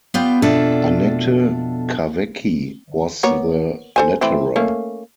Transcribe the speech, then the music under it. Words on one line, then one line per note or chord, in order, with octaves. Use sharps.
Annette Kawecki was the letterer.
B3 F4 D5 G5
F2 B2 D4 F4 A4 E5
A#3 B3 C#5
A4 C5 G#5
E3 A3 C4
A3 A#3 C#4